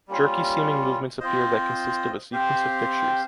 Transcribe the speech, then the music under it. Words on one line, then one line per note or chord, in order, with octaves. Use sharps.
Jerky seeming movements appear that consist of a sequence of pictures.
G3 A#3 C#4 F4
C4 F4 C5 D#5
C4 G4 C5 F5